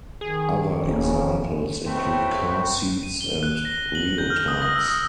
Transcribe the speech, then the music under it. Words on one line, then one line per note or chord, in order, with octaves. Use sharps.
Other examples include car seats and leotards.
D#3 G#4
D#1 C#3 F#3 C#4
A3 C4 F#4 B4 C#5 G5
D#7
G7
F#6
A#6
F#7
G6
F6
D#6
A#6
E6
D#6